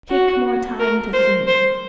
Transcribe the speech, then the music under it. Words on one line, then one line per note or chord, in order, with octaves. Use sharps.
Take more time to think.
F#4
A#4
C5
C5